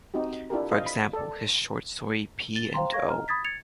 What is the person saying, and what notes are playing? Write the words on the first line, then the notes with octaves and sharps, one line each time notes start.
For example, his short story, P. and O.
C4 D#4 F#4 G4
D4 E4 F4 G4 A4 A#4
C5 D#5 F5
B5
A4 D5
A6 G7
C5 F5 G5 A#5 C6
C#5 F5 C#6 G#6 A#6
D#5 A#5 F6
B5 D#6 G#6 A6 B6
G#6 A6 C#7 F7